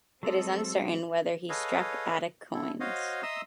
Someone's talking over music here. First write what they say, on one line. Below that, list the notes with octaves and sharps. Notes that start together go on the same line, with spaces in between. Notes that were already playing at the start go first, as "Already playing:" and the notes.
It is uncertain whether he struck Attic coins.
F#3 G#3 C4 A4 D#5
G#4 A4 B4 C#5 D#5 F5
E4 A4
F#4 C5 C#5 D#5 F5
D#5 E5 A#5 C6 D#6 E6